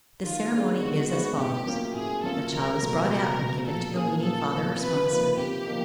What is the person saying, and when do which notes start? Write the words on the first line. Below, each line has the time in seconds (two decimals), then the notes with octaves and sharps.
The ceremony is as follows:--The child is brought out and given to the weaning father or sponsor.
0.23 D#3 F4
0.52 G#3 B3 D4
0.80 D#3 F#4
1.09 G#3 B3 D4 F#4
1.37 A2 G4
1.66 F#3 A#3 C#4 F4
1.95 A2 G#4
2.24 F#3 A#3 C#4 F4 A4
2.52 C#2 A#4
2.80 B2 F#3 A3
3.09 C#2 A#4
3.37 B2 F#3 A3
3.66 A#2 A4
3.94 F3 A#3 C#4 G#4
4.23 A#2 A4
4.51 F3 A#3 C#4
4.80 C3 B4
5.09 F3 A#3 D#4
5.37 C3 G4
5.66 F3 A#3 D#4